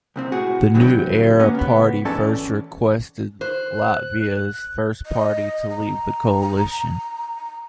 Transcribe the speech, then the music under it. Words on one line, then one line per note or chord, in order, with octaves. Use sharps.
The New Era Party first requested Latvia's First Party to leave the coalition.
C2 C3 C4
A2 F#4 G#4
C2 D3 F#3 C4 G4
A#3 B3 C#4
C#2 B3
E2 C#4 A4 D5 A5
C5 F#6
D#5
A#5